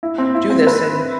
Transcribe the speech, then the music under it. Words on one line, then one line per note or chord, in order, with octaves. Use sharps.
do this and,
E4
C4
E4
C4
B4